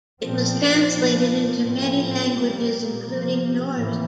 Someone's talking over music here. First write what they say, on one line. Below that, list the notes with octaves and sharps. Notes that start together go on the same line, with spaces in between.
It was translated into many languages, including Norse.
A#2 F3 C4
A#2 F3 A#3
A2 F3 C4
A#2 G3 A#3
C3 F3 A#3
A2 E3 A#3